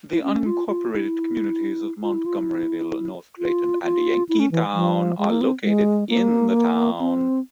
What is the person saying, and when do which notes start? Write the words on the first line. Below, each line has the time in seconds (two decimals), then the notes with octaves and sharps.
The unincorporated communities of Montgomeryville, North Clayton, and Yankeetown are located in the town.
0.14 E4
0.23 C#4
0.46 F4
0.68 F4
0.90 E4
2.03 F4
2.14 E4
2.26 F4
2.37 E4
3.38 F4
3.83 F4
4.29 E4
4.40 C#4
4.52 E3
4.74 F3
5.18 G#3
5.30 A#3
5.41 C4
5.64 G#3
6.09 A#3
6.99 C4